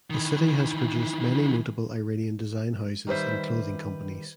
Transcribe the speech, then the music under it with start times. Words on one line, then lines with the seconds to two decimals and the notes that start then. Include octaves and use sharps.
The city has produced many notable Iranian design houses and clothing companies.
0.10 D#3 E3
3.07 D#3 G3 B4 C5 E5